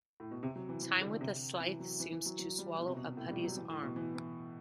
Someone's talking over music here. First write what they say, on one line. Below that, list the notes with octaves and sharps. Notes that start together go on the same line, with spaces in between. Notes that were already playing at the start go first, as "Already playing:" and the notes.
Time with a scythe seems to swallow a putti's arm.
A2
B2
C3
F#3
E3
E3
D3
C3
E3
F#3
E3
E3
F#3
F#3
G3
B2
C3
B2
A2
G3
F#3
E3
A2
B2
E3
E3